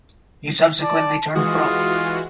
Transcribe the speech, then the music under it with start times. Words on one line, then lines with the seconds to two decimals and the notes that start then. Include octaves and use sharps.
He subsequently turned pro.
0.82 D5 A5
1.35 E3 G#3 F4 F#4 D#6